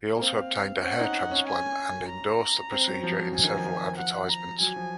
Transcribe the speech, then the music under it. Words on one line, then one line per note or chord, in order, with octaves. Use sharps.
He also obtained a hair transplant and endorsed the procedure in several advertisements.
A#3
C4 F5
C#4
C4 F#5
D#4
C#4
G#5
A#5
C4
F#3
F3
F#3
F3 G#5
D#3
F3
F#5
A#5
F#3 G#5
F3